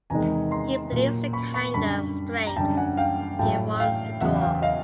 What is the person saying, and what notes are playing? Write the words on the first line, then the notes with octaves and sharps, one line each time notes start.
He believes the kind of strength he wants to draw.
E2 C3 D#3 G#3 G#5 A#5
A#5 C6
A#2 F#3
B5 C#6
B5 C#6
F#2 D3 G3 A5 B5
A#5
F#2 D3 G3 G5 A5
F#5 G#5
F5 G5
A2 F#3 G5 A5
F5 G5
E2 C#3 F#3 E5 F#5
F5 G5
D#5 F5